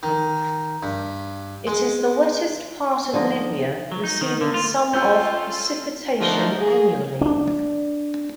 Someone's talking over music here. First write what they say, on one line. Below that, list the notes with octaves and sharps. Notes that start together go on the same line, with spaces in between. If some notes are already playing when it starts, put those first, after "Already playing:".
It is the wettest part of Libya, receiving some of precipitation annually.
D#3
G2
G#3
D3 F3 D#4
F#3
D#4
D#3
D3
F4
C#4 F4 A4 C5 G5 E6 G6
D3 F3 A3 D#4 F#4 A#4
G#4
C#4 D4